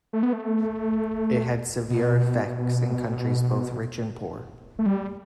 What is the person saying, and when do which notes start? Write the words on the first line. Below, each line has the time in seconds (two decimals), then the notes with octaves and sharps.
It had severe effects in countries both rich and poor.
0.13 A3
0.23 B3
0.33 A3
1.90 B2
4.79 A3
4.86 G3